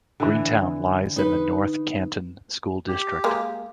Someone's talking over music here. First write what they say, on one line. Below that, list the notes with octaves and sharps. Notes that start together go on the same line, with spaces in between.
Greentown lies in the North Canton school district.
D3 E3 E5
D#4 B4
G4
G#3 A#3